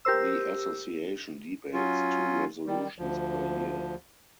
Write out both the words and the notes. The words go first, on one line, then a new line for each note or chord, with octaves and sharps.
The association debates two resolutions per year.
G4 A#4 C5 E6
F#3 C#4 F4
D#3 G3
D2 F3